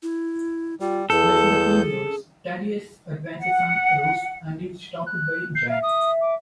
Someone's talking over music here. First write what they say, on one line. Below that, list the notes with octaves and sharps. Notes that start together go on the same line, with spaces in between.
As the film rolls, Thaddius advances on Rose and is stopped by Jack.
E4
G3 F4
E2 G#4 A4 G6
F#5
F#6
G6 C7
E5 F5
D#6
D6